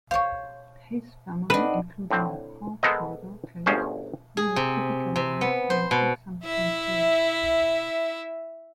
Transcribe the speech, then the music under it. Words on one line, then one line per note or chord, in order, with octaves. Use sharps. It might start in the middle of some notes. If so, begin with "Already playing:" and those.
His family, including a half-brother, Clint, live a typical life on the Texan frontier.
C5 C#5 F5 C#6
C4 D4 D#4 B4 D#5 F#5
A2 D3 C4
G#3 B3 A4 A#4 C5 D#5
G1 D2 F3 C#4 G#4 C5
G#4
C3
C3
B3
C5
B2
E4 E5